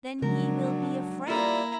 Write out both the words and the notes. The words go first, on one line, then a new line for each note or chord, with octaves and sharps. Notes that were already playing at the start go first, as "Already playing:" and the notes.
Then he will be afraid!
C#3 F3 F#3 G#3 D4 A#4
G3 A#3 E4 F4 A4 E5 F5 A#5